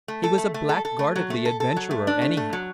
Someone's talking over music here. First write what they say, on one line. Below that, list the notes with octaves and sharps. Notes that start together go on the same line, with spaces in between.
He was a blackguardly adventurer, anyhow.
A3
A4
A3
A3
A4
A4
A3
F#3
A3
A4
A4
F#3
A3
D4
A3
A3
F#3